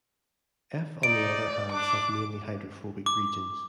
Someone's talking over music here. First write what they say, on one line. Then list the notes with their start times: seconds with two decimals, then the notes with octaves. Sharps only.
F on the other hand has mainly hydrophobic regions.
1.03 D#4 D5 D7
1.72 D4 D6
3.06 D6